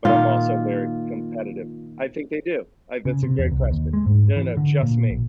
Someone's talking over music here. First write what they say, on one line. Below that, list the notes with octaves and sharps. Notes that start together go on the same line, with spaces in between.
but I'm also very competitive. I think they do. I That's a great question. No, no, no. Just me.
A#2 D#3 F4
C#3
C3
E2
C2
D#2
G#3
G#2
E3
D3
A#2
A#1